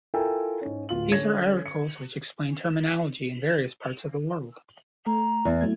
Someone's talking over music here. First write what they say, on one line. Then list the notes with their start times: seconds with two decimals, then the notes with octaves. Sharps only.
These are articles which explain terminology in various parts of the world.
0.14 E4 F4 A4 A#4 G5 G#5
0.61 G#2 C#4
0.89 D1 F4 F#7
1.10 D3 C#4 C#5 G#6 A#6
1.66 C#7
5.07 A3 A#5
5.45 E2
5.61 F#3 A3 G#6